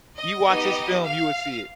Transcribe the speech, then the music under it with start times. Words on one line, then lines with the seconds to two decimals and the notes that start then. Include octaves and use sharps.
you watch his film, you would see it,
0.17 D#5
0.46 B3 D#4 G4
1.05 F5